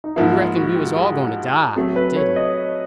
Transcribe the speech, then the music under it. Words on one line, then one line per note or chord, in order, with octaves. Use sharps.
We reckoned we was all going to die, but didn't.
D#4
G#2 F3 A#3 E4
F4
F#4
G4
G#4
F#3 A3 C4 A4
B4
C#5
D#5